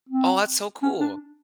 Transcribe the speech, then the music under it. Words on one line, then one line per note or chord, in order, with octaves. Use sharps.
Oh, that's so cool.
C4
C#4
D4